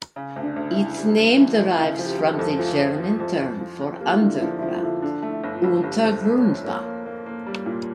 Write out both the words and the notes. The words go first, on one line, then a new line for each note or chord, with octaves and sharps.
Its name derives from the German term for underground, Untergrundbahn.
C#3
D2
D4
D2
E4
C#3
G3
D2
E3
D2
C#3 E4
F3
G4
F3
A4
F2
F3 F4
F2
F3
F2
F2
F3
F2
A#3 G4
F4
E4
D3 D4
E4
F3 D4
E4
F3 F4
F4
D3 E4
D3 D4
A3
E4
G1
F4
G1
G1 G4
F2
A4
A3
C#5
F2
A#3 C#5
A#3
A#3
A#3
G3
A#2